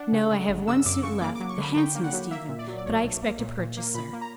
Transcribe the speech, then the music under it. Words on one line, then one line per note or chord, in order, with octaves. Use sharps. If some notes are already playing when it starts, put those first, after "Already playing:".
"No, I have one suit left, the handsomest even, but I expect a purchaser."
Already playing: D4 F#5
C#3
C#3
G1
C#3 E6
F#2 D6
C#3 C#6
A#3 D6
F#3 D6
C#6
D3 B5
D3 G5
A#3
F#5
F#3
A#3 E5
A#2
D5
F#3
D5
B1 C#5
B1
A#3
A#2
A#2
A#3
A#2 B5
A#3
A#5